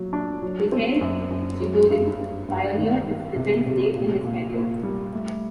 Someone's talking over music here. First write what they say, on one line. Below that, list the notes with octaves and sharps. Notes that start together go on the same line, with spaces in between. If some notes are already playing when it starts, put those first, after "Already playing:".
Mikhail Chigorin pioneered this defense late in his career.
Already playing: F#3 A#3
D4
F#3
C4
F#2
F#2
F#3
G2
G2
G2
D#3
D#3
C3
C3
A#2
A#2
A#3
G3
A3